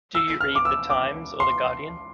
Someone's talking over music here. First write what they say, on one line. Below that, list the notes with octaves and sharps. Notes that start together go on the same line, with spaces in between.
Do you read The Times or The Guardian?
E6
F6
D6
E6
D6
C6